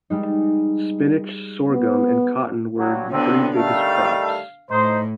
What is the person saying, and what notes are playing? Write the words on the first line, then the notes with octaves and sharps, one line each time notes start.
Spinach, sorghum, and cotton were the three biggest crops.
G3 G#3 D#4
B3
G2 F#3
A2 D3 F#3 B3 C4
D#3 G3 A3 F5
A2 D#4 C5